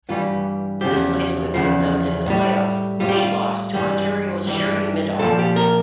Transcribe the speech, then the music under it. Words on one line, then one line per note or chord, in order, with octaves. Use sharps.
This placement put them in the playoffs, where she lost to Ontario's Sherry Middaugh.
G2 E3 G3 F4
E2 C#3 F3 G4
E2 C#3 F3
A2 G3
A2 G3 F4
G4
F4
G2 E3 G3 G4
G2 E3 G3
A#2 F3 A4
G4
A#4